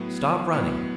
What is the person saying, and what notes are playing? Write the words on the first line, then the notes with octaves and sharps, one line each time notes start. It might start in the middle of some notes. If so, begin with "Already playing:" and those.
Stop running.
Already playing: A2 F#3 B3
A2 F#3 B3